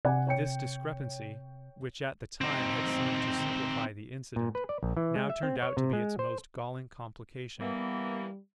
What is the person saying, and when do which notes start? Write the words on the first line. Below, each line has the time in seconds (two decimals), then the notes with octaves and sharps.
This discrepancy, which at the time had seemed to simplify the incident, now turned out to be its most galling complication.
0.05 C3 D5 F#5 G#5
0.27 C#5 G5 C#7
2.41 C4 D#4
4.36 A#2
4.55 B4
4.69 D5
4.83 A#1
4.97 E3
5.15 G#3
5.30 E5
5.43 C4
5.62 C#5
5.77 C3
5.93 G#3
6.19 C5
7.59 E3 G3 A#3 B3